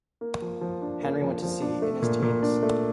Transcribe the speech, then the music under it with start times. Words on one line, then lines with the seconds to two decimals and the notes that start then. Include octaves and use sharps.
Henry went to sea in his teens.
0.21 A#3
0.42 F3
0.61 F3
0.82 D4
1.03 A#3
1.22 F3
1.42 F3
1.62 D4
1.82 A3
2.02 A#2
2.22 A#2
2.43 D4
2.63 A3